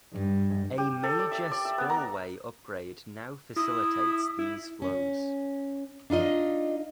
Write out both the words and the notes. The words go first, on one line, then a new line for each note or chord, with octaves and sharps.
A major spillway upgrade now facilitates these flows.
G2
G4
A4
D5
E5
D5
E5
B3
A#5
E4 D#6
E4
C#4
D4 D#4 F4 D#5